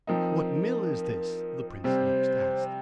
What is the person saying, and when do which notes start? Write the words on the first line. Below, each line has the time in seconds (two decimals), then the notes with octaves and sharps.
"What mill is this?" the prince next asked.
0.07 F3 C4 D#4 A#4
1.84 C3 G3 C4 C5